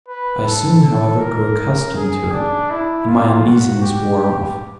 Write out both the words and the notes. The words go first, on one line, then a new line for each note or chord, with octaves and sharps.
I soon, however, grew accustomed to it, and my uneasiness wore off.
B4
A4
A4
A#4
G#4
D4
E4
F4
F#4
G4